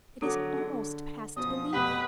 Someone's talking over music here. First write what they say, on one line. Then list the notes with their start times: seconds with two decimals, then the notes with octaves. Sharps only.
It is almost past belief.
0.22 D3 F#3 A4 D6
0.57 D3 G#4
1.36 F#2 B2 F3 D#6
1.73 F1 B2 G4 B4 F#5 D#6